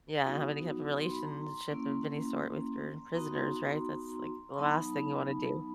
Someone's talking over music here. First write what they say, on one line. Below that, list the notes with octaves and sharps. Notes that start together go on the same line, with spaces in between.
yeah. Have any type of relationship of any sort with your prisoners, right? That's, like, the last thing you wanna do.
F#3 B3 D#4 F#4
C6
B5
A#5 C6
A#3 C#4 E4
B3 D#4 F#4 A#5 C6
C6
F#3 B3 D#4 A5 B5